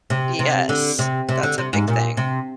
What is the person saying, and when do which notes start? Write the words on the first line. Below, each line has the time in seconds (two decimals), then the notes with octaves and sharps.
Yes. That's a big thing.
0.10 C3
0.39 C3
0.69 D3
0.99 C3
1.29 C3
1.43 D3
1.58 C3
1.73 G#2
1.88 A#2
2.17 C3